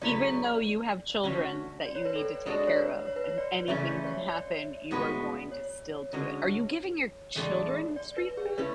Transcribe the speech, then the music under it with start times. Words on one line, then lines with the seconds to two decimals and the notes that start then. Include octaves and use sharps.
Even though you have children that you need to take care of, and anything could happen, you are going to still do it. Are you giving your children street food?
0.01 C#3 F#3 A3 E4 B4 D5
1.23 D3 A3 C#4 F#4
1.85 D5
1.95 C#5
2.05 B4
2.15 A4
2.46 G#3 D4 F#4 A4
2.67 C#5
2.76 B4
3.07 C#5
3.16 B4
3.24 C#5
3.38 D5
3.68 C#3 E3 A3 C#4 E5
3.88 D5
4.09 C#5
4.29 D5
4.91 A2 G#3 B3 F#4 B4
5.51 C#5
6.13 D3 G#3 C#4 F#4
7.35 A2 E3 G#3 D4 A4
7.96 D5
8.17 B4
8.37 G#4
8.58 A3 C#4 E4 B4